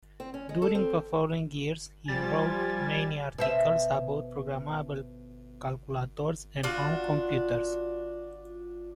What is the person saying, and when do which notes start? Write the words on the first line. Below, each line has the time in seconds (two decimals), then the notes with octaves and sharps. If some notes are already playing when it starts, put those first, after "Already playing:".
During the following years he wrote many articles about programmable calculators and home computers.
0.20 C4
0.34 C#4
0.49 G#3
0.62 A4
0.75 C4
2.08 F3 G3 G#5 A6
3.38 B2 C5 E5
6.63 D4 F4 F#4